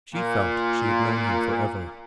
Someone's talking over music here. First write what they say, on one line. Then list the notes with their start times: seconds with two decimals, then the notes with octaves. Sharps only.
She felt she had known him for ever.
0.14 A#2